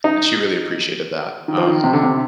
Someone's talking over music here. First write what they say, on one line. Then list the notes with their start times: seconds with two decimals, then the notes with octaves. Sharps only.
and she really appreciated that, um,
0.04 D#4
1.48 D#3
1.58 F3
1.67 D#3
1.84 C3
1.93 D3
2.03 C3